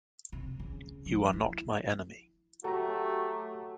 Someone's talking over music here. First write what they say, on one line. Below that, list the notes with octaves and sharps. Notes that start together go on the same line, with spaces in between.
You are not my enemy.
C3
C#3
F3
E4
F#3 A3 F#4 G4 A4 A#5